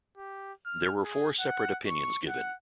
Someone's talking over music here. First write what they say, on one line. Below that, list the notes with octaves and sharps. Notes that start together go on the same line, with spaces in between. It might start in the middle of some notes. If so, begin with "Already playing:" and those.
There were four separate opinions given.
G4
F6
G#4
F#5
C#6
F#5